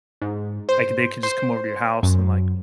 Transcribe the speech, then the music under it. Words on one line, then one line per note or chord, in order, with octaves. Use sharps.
like, they could, just, come over to your house and, like, l
G#2
C5
C5
F#2